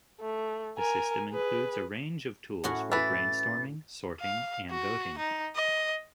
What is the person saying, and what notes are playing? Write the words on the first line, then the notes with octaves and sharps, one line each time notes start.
The system includes a range of tools for brainstorming, sorting and voting.
A3
A#4 G#5
G#4 B4
A2 C#4 F#4 F#5
E3 B4 A6
F5
F#4
D#4
D#5